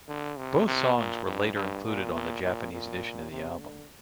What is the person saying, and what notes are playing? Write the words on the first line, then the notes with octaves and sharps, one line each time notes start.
Both songs were later included on the Japanese edition of the album.
D3
C3
C3
A#2
G2
G2
A#2
A#2
A#2
A#2
C3
D3